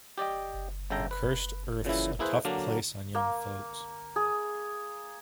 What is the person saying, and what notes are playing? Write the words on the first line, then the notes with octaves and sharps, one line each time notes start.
The Cursed Earth's a tough place on young folks.
G4 D5 D#5 G5
G1 C#3 A4 G5 A#5
B4
A#2 C#3 E3 E4
A#3 E4 G#4 B4 C5
D3 F#3 A#3 D4 A#4
A#3
G#4